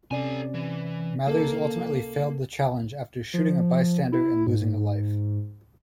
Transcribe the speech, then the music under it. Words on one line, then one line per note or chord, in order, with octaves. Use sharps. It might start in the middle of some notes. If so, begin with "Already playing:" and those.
Mathers ultimately failed the challenge after shooting a bystander and losing a life.
C3 C#4 A4 D5 G#5
E3
A#3 A4 A#4
F3
E4
G#2